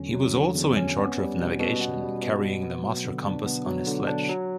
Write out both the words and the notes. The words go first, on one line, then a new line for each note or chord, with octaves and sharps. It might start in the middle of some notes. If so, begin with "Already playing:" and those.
He was also in charge of navigation, carrying the master compass on his sledge.
Already playing: E2 D3 F#3 C#4
F#3
D3
E2
C#4
B3
G3
B2
B2
B3
G3
B2
B2
B3
F#3
D3
D4
B3
F#3
D3
D4
F#3